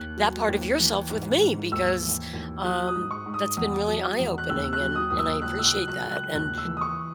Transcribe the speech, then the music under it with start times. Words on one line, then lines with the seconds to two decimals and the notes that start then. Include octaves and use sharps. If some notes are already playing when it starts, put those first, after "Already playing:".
that part of yourself with me because, um, that's been really eye-opening and and I appreciate that, and
Already playing: D#2 F#6
0.17 F#3
0.48 D#2
0.80 E3
1.10 G#2
1.41 G#2
1.72 D#2 E6
2.03 E3
2.33 D#2
2.64 F#3 F#6
2.87 D#6
2.95 G#2
3.11 C#6
3.26 G#2
3.34 D#6
3.57 E2 D#6
3.88 F#3
4.19 E2
4.38 F#6
4.49 D#2 E6
4.64 E6
4.73 F#6
4.80 F#3
4.95 D#6
5.10 D#2 D#6
5.19 E6
5.42 C#2 F#6
5.59 E6
5.65 F#6
5.73 F#3
5.88 F#6
6.04 C#2
6.11 F#6
6.34 D#2 F#6
6.58 E6
6.65 E3
6.77 D#6
6.81 C#6